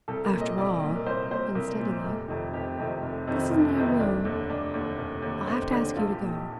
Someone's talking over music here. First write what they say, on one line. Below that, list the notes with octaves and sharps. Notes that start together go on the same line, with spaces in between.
"After all"--unsteadily--"this is my room; I'll have to ask you to go."
C2 A4
A#4
A#2
D#5
C2 D5
A#2
A#4
C2 C5
A#2 C5
C2 A#4
A#2
F1
F2 C3 D#3
F1 G4
F2 C3 D#3
F1
F2 C3 D#3
F1
F2 C3 D#3
F1 D4
D#2 D3
F1 D4
D#2 D3
F1
D#2 D3
F1 C4
D#2 D3 D4
A#1 F4
G4
A#2
D#4